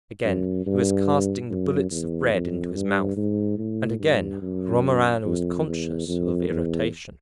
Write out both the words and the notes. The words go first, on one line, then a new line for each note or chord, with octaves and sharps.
Again he was casting the bullets of bread into his mouth, and again Romarin was conscious of irritation.
F#2
G2
F#2
E2
F2
G2
G#2
A2
G2
F#2
F2
E2
F2
E2